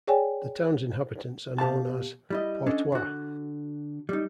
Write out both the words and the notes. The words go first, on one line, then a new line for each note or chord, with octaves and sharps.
The town's inhabitants are known as "Portois".
G#4 C#5 D5 G5 G#5
B2 G4 F5 A5
G3 E4 D#5
C#4 D4 A4 C#5 D#5
D3 F#4
G3 D#4